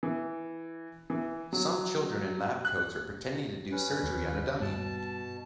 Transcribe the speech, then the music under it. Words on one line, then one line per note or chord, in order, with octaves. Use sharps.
Some children in lab coats are pretending to do surgery on a dummy.
E3
E3
F#3
F#6
C#4 B4
D#2
G2 B2 A5